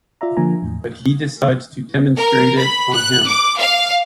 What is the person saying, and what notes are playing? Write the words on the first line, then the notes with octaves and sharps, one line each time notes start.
But he decides to demonstrate it on him.
F4 D5 E5 A#5
D3 F3 A#3 G#5 A#5
E2 A2
A#4
B5
F#6
D6
F5